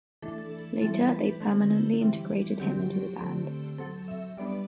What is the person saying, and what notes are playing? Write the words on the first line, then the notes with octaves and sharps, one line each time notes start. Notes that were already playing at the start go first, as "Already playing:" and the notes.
Later they permanently integrated him into the band.
E3 A3 D4 A4
E3 G3 C4 A4
B4
D3 A3 C4
E3 G3 C4
D3 F#3 C4 G4
D3 A3 C4
F#3 C4 A4
E5
G3 B3 D4 D5